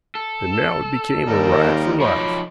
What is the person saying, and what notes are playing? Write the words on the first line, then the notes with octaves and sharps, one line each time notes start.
And now it became a ride for life.
A4
D#2 G3 D#4 A#4
F3 D#4 C#5 B5 D6